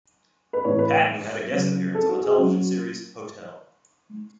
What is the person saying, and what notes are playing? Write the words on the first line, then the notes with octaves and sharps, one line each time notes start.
Patton had a guest appearance on the television series "Hotel".
B4
A2 E3 B3 C#5
B4
C#3 F#3 B3
A4
F#4
G#4
F#3 C#4 F#4